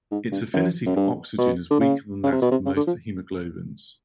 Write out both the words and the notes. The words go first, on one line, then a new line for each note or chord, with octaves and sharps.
Its affinity for oxygen is weaker than that of most hemoglobins.
G#2
G2
F#2
F#2
G2
B2
D3
C#3
C#3
C3
B2
C3
C#3
D3
F3